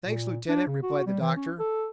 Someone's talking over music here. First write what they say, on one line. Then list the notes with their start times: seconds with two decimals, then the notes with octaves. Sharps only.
"Thanks, Lieutenant," replied the Doctor.
0.06 A#2
0.49 D4
0.67 C#3
0.83 F#4
1.07 G3
1.21 E3
1.36 C#4
1.59 A4